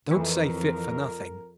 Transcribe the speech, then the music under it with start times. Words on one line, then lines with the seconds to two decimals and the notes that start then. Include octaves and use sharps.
"Don't say fit for nothing."
0.11 F2 E3 A#4